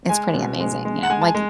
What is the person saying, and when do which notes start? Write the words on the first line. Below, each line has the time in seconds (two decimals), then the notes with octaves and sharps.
It's pretty amazing, you know, like,
0.09 G#3 G#5
0.34 B2
0.60 G#3
0.85 G#3
1.03 F#5
1.10 G#3 G#5
1.22 A5
1.27 G#5
1.35 G#3